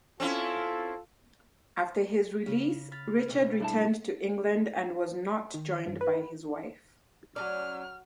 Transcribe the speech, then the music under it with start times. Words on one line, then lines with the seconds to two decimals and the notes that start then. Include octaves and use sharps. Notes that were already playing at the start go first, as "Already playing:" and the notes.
After his release, Richard returned to England and was not joined by his wife.
0.20 C4 C#4 E4 F4 A4
2.42 C#3 B6
2.91 B5 F6 A6
3.29 B1
3.61 G2 E4 A5
5.54 D#3
5.86 G2
6.01 B4
7.36 F#3 C#4 D5 F6